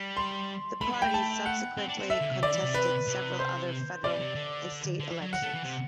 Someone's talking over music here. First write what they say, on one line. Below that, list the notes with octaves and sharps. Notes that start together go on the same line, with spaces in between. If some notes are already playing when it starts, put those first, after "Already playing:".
The party subsequently contested several other federal and state elections.
Already playing: G3
C6
A3 B5
G3
A3 G5
A5
F#5
C4
D4
C4
A3 E5
D3
C3
D3 D5
E3
C3
B4
C3
C5
C3 D5
C3
D3
D3
E3
F#3
F#5
A3
E3
C3